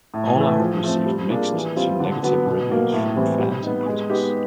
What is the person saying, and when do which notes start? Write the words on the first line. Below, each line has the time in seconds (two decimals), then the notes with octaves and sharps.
All Out received mixed to negative reviews from fans and critics.
0.14 A2
0.36 E3 A3
0.60 F3
0.84 A3 C4
1.06 G3
1.29 A#3 D4 F4 G#4
1.52 E3
1.76 G3 C4 F4
2.00 D3
2.23 F#3 B3
2.46 B2
2.70 F#3 A#3
2.92 A2
3.16 E3 G3 C4
3.39 G3
3.63 B3 D#4
3.86 G#3
4.10 B3 D#4 G4